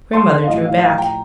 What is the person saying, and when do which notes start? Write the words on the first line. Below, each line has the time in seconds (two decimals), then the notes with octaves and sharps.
Grandmother drew back.
0.13 A5 C6
0.43 F5
0.48 A1 A2 F3 D#5
0.65 F5
0.81 F5
0.98 G5 A#5